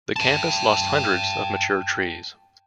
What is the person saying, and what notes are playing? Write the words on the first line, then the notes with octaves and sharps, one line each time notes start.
The campus lost hundreds of mature trees.
G5 A5